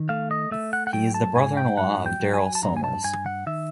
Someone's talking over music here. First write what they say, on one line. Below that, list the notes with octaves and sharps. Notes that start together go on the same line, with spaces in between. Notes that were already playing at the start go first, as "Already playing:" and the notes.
He is the brother-in-law of Daryl Somers.
Already playing: D#3
A3 F5
D#5
A3 E5
F#5
F#5
F#3 G5
A5
G#2 G#5
G5
F#3 F#5
G5
F#3
G#5
A5
G2 A#5
G#5
A5
G2 G#5
F#5
D#3 E5